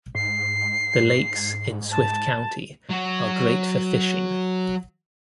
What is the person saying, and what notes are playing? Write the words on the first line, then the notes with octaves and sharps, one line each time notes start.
The lakes in Swift County are great for fishing.
G#2 C7
A5
F#3 F#4